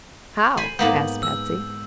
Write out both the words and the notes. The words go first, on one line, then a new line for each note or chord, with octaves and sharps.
"How?" asked Patsy.
C5 G#5 B5
G#2 A#3 B3 G6 F#7
E6